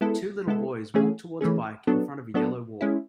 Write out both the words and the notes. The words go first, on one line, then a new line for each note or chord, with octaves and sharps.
Two little boys walk towards a bike in front of a yellow wall.
G#3 B3 E4 A4
G#3 B3 E4 A4
E3 A3 C#4 G#4
E3 A3 C#4 G#4
F#3 B3 D4 A4
F#3 B3 D4 A4
G#3 C#4 E4